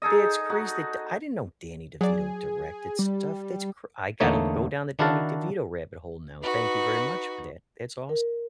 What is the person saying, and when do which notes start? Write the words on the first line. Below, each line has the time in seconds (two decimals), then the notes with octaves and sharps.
that's crazy, d I didn't know Danny DeVito directed stuff, that's cr I gotta go down the Danny DeVito rabbit hole now, thank you very much for that, that's awes
0.02 D#4 G#4 A4 D#5
0.49 D#4 F#4
2.01 F#3 G#4 D5
2.99 G3
4.20 E2 D3 A3 A#3 D#4 C#5
4.99 D#3 D4 E4 F#4 F5 A5
6.42 D#4 F#4 B4
8.09 A#4